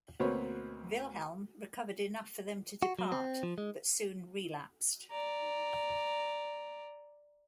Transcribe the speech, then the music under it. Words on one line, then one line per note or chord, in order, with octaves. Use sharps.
Wilhelm recovered enough for them to depart, but soon relapsed.
D2 B2 A#3 C4 B4 C#5
F#4
F#3
C4
F3
G#3
D5 A#5